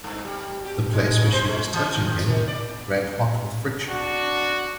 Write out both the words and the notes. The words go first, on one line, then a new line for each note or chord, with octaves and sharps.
The place where she was touching him ran hot with friction.
G2
G3
G4
G#3
C#3
C5
G#3
E3
D#2
D#3
D5
D4 F#4